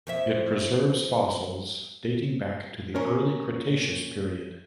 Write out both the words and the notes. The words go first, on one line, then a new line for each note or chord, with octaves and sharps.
It preserves fossils dating back to the early Cretaceous period.
F2 F3 E5
A#3 C#4 A#4